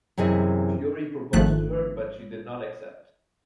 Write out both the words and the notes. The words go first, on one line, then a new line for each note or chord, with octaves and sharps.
Fury proposed to her, but she did not accept.
F#2 C3 E3 G#4 D#5
G#1 D#3 F3 A3 F#6